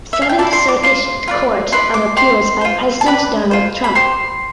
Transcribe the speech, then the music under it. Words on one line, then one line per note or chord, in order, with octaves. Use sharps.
Seventh Circuit Court of Appeals by President Donald Trump.
E5
F5
G5
E4 A4 D5 A5
C6
D6
F4 C5 C6
F4 B4 D5
E4 B4 D5 C6
D6
G4 C5 C6
F4 C5
A5
G4 B4 D5 B5
F4 C5
B5
G4 C5 C6